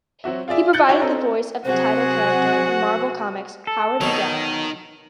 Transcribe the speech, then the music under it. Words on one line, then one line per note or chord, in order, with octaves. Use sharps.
He provided the voice of the title character in Marvel Comics' "Howard the Duck".
F#3 C4 F#4 E5
F4 G#4 D5 E5
F#6 G6 A6 C#7 F#7
D4 E4 F#4 C#5 E5
C4 A4 D#5 A#5
C3 F#3 F#4 G#4 C5 F#5
A4
B2 D#3 F#3